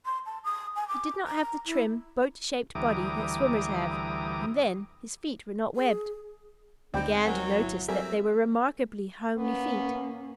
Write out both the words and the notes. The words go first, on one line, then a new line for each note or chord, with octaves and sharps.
He did not have the trim, boat-shaped body that swimmers have, and then, his feet were not webbed. The Gander noticed that they were remarkably homely feet.
C6
A5
D#6
G#5
D6
A#5
E4
D2 E3 G3 A#5 D6 D#6
G#4
D2 C4 D#4 D5 G5 B5
F#3 A#4 G#5
G1 E4
F#3 G3 C4 A4 A#4 E5 G#5
A#3 B3 C#4